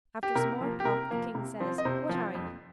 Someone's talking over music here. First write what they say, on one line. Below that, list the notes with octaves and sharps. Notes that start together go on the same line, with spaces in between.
After some more talk the king says, "What are you?"
G4
C3 A#4
F3 A#3
G4
C3 A#4
F3 A#3
C3
F3 C4
D#5
C3 C5
F3 C4
F2